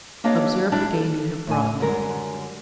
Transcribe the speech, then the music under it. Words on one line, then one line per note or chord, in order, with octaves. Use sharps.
Observe the game you have brought me!
A#3 D4 G4 C#5 D#5 F5
G3 D4 E4 G4
A4
A2 G#5
F#2 D3 G3 G#3 A#4